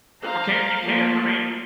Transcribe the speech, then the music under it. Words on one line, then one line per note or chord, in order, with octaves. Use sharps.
Well, can't you can't, I mean,
C5 F5 A#5
F3 A3 A#3 F4 A5